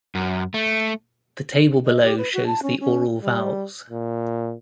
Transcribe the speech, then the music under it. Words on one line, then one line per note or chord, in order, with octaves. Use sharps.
The table below shows the oral vowels.
F#2
A3
D#5
G4
B4
F#4
A5
C#4
C#4
G3
A#2